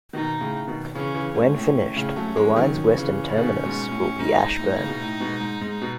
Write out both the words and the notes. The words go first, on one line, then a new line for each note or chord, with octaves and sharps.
When finished, the line's western terminus will be Ashburn.
B2 D#3 D#4
A2 C#3
B2 D#3
C#3 E3 C#4
C#3 E3
G#2 C#4
A2
A2
A2 C#3
F#3 A3
E3 G#3
D#3 F#3
C#3 E3
C#3
B2 D#3 C#4
G#2 B2
A2
G#2 D#4
A2
C#3
B2
A2
G#2 B2
G#2
G#2
B2